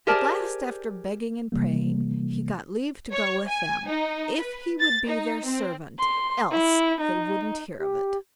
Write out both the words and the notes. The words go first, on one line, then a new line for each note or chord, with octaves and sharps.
At last, after begging and praying, he got leave to go with them, if he would be their servant, else they wouldn't hear of it.
G4 G#4 A#4 C5 D5 A5
C3 E3 G3 A#3
C#5
G#5
D#4
B4
A6
D#4
C4
C6
E4
D#4
G4